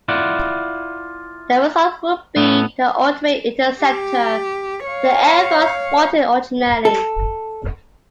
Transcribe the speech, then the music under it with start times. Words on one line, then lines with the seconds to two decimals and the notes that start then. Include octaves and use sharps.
The result would be the "ultimate interceptor" the Air Force wanted originally.
0.08 E4 F4 D5 F#5
2.36 A2 A3 B3
3.81 G4
4.86 C#5 F5
6.85 A4